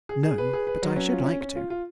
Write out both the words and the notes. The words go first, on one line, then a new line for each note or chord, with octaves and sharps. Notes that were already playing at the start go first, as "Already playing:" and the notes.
"No, but I should like to."
G#4
G#4
B4
G#4
B4
F#3
C#4
F4
C#4
C#4
F4
F4